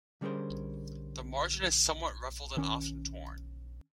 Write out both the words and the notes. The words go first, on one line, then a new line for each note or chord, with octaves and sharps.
The margin is somewhat ruffled and often torn.
D3 G3 C#4 G#4 A#4 C5
D#3 C#4